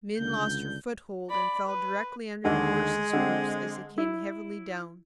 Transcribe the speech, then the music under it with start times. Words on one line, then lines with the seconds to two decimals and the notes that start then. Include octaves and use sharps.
Min lost her foothold and fell directly under the horse's hoofs as they came heavily down.
0.18 C#2 D3 G6
1.29 D5 B5
1.67 B4
2.45 D#2 D3 G#3
3.13 D3 C4
3.98 E4